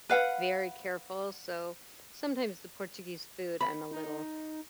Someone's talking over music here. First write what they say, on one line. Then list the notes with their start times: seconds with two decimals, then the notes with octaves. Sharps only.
very careful. So sometimes the Portuguese food, I'm a little
0.09 B4 F5 F#5
3.61 B5
3.91 D#4